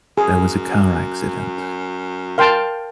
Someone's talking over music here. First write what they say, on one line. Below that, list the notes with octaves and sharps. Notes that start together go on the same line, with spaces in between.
There was a car accident.
F#2 G#4
A#4 F5 G5 A5 C6